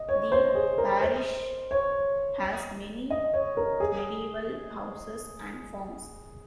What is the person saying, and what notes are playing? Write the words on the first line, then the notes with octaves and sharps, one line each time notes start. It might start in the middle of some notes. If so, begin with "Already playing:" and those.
The parish has many medieval houses and farms.
Already playing: D#5
C#5
C5
G#4
A#4
C5
C#5
D#5
C#5
A#4
G#4